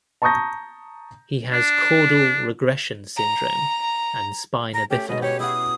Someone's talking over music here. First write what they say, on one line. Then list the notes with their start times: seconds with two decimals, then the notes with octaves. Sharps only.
He has caudal regression syndrome and spina bifida.
0.22 A5 A#5 C#6 D#6 G6 A#6
1.53 D4
3.17 A#5
4.74 A#5
4.90 A3 C#4 G4
5.09 G#2 B2 D#5
5.22 G4 C#5
5.40 E4 F#4 D#6